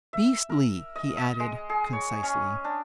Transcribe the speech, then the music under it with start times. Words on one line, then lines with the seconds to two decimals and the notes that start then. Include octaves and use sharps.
"Beastly!" he added concisely.
0.13 E5
0.50 A#4
0.96 D#5
1.17 D#5
1.40 G#3
1.69 G#4
1.93 C#5
2.23 C#4
2.64 D4